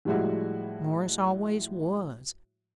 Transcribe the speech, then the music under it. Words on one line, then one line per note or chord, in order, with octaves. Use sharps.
Morris always was.
A2 F3 G3 G#3 E4 F#4